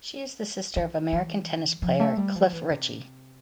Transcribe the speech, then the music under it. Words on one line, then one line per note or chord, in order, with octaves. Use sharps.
She is the sister of American tennis player Cliff Richey.
D3
E3
F3
A3
G3
F3
E3
C3